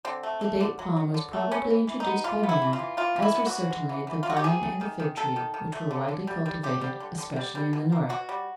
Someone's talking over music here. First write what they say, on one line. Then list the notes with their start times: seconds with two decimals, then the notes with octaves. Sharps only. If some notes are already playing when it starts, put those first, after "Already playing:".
The date palm was probably introduced by man, as were certainly the vine and the fig tree, which were widely cultivated, especially in the north.
0.05 D3 C4
0.23 A3
0.41 A3
0.60 D3
0.79 F#3
0.96 F#3
1.14 D3
1.33 A3
1.51 B3 C#4
1.70 E3
1.87 E3
2.00 D#4
2.06 B3
2.24 E3 F4
2.43 B3
2.49 E4
2.62 E3
2.73 F4
2.79 E3
2.97 E3 F4
3.16 E3
3.22 E4
3.35 B3
3.47 F#4
3.53 E3
3.71 G#3
3.89 E3
4.07 E3
4.23 F4
4.26 E3 F#4
4.37 G4
4.44 D#3 G#4
4.63 A3
4.81 D#3
5.00 D#3
5.17 D#3 A4
5.36 D#3
5.54 D#3
5.73 A3
5.91 D3
6.09 D3
6.27 G3
6.46 G3
6.63 D3 G4
6.81 G3
7.00 D3
7.18 D3
7.36 G3
7.55 G3
7.73 B2
7.92 A#3
8.09 B2 F#4
8.29 G3